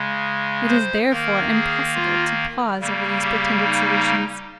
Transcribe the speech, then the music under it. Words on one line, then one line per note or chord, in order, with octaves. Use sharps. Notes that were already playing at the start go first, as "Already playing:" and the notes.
It is therefore impossible to pause over these pretended solutions.
Already playing: C#3 G#3
C5
D#3 A#3 A#4
G#4
F4
C#3 G3 A#3
G4
D#4